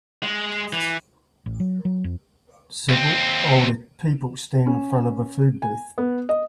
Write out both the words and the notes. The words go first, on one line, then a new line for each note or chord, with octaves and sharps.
Several older people stand in front of a food booth.
G#3
E3
A1
F#3
F#3
F2
D#2 C4
C#4
G#5
B3
D#5